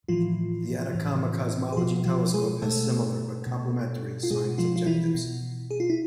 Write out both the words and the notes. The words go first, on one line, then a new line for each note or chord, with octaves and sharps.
The Atacama Cosmology Telescope has similar, but complementary, science objectives.
A2 E3 F3 F4
A2 E3
G#4
B2 F3 F4
F3 F4
G#3 G#4
B2 A3 A4
B2
F4
B2 G#3 G#4
F3 F4
F4
E3 E4
B2
G#4
F4
E4